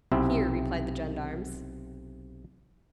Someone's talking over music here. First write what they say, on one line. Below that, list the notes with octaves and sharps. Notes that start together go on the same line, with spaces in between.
"Here," replied the gendarmes.
B1 C3 C4 E4